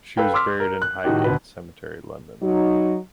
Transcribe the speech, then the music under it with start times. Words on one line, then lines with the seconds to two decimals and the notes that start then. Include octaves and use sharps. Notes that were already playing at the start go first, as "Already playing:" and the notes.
She was buried in Highgate Cemetery, London.
0.17 A4 B4 F5 G5
0.34 C6 D6 E6 F6 B6
0.60 A#4
0.82 F#6
1.04 A2 D#3 D#4 F#4 G4
1.24 D2 B2 B4
2.42 F#3 D#4